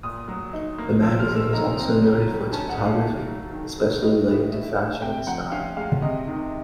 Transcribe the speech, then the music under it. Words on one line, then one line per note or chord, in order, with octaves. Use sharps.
The magazine is also noted for its photography, especially relating to fashion and style.
A#2 D#6
F#3
D#4
A#3
F3 E6
F6
G#3
E6
D#4 A#5
C4
C#3
F#3
C#4 A5
F#5
A3
F5
D#3
F#3
D#3
B3
A2 D#5
E3
A2 E5
A3 F#5
C3 G5
F3 F#5
C#4 F5
G#3 F5
C3 D#5
D#3